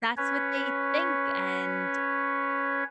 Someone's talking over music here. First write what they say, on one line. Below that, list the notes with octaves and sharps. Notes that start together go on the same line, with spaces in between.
That's what they think. And,
C#4 B4 C#5